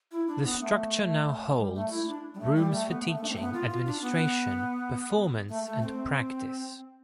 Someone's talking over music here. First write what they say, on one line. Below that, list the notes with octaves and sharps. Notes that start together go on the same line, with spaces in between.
The structure now holds rooms for teaching, administration, performance and practice.
E4
D4
B3
A3
G3
A3
E4
D4
G3
A3
G3
A3
B3
A3
A3
D4
C4
A3
B3
F4
F4
D4
B3
A3
A3
C4